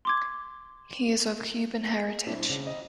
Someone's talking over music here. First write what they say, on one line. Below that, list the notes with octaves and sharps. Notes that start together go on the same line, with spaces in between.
He is of Cuban heritage.
C6 D6 G#6
G#4
B2 G3 C4 D4 E4
C#3 F#4 D5
D#5